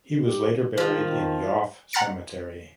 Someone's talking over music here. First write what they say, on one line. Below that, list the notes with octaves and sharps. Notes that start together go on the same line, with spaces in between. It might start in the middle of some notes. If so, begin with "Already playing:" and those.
He was later buried in Yoff cemetery.
G4
D#3 F3
F#5 A#5 F6 A6 C#7